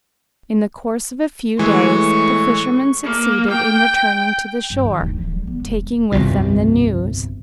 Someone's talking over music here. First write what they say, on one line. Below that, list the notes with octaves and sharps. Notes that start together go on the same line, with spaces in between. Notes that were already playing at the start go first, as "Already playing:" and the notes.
In the course of a few days the fishermen succeeded in returning to the shore, taking with them the news.
A2 E3 G#3 C#6
A#3
G5
G2
D#2
D1
E3
G3
B3
E1
G1 C2 F2 B2